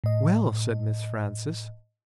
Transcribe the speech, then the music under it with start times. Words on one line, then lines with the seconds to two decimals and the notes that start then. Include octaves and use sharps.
"Well!" said Miss Frances.
0.04 A2 D#5